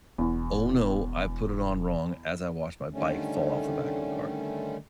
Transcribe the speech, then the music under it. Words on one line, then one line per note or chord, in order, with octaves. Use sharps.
"Oh, no, I put it on wrong." as I watched my bike fall off the back of the car,
E1 E2
D3 D#3 G3 A3 C#4